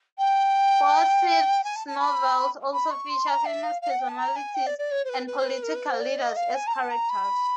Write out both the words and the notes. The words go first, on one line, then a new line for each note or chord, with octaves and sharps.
Forsyth's novels also feature famous personalities and political leaders as characters.
G5
G#5
A5
A5
B5
B5
C#6
C6
A#5
E5
F5
F5
F#5
G5
A5
A#5
G#5
G5
D5
D5
C#5
C5
B4
B4
C5
B4
A#4
B4
C5
D5
D#5
F5
G#5
A#5
A5
A#5
B5